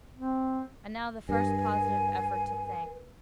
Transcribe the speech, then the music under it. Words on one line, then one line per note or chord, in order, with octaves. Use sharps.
And now the first positive effort to think.
C4
G2 A#4 B4 G#5